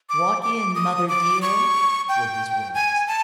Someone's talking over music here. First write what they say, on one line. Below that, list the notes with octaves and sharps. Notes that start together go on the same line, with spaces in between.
"Walk in, mother dear," were his words.
D6
D6
D#6
D6
C#6
G5
G#5
A5